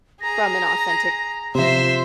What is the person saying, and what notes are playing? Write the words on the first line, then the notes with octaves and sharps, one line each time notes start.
from an authentic
G#4 A#5 A#6
C3 F3 C5 E5 C6